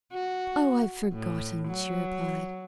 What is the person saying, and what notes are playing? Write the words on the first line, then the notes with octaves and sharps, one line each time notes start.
"Oh, I've forgotten..." she replied.
F#4
A2
F#3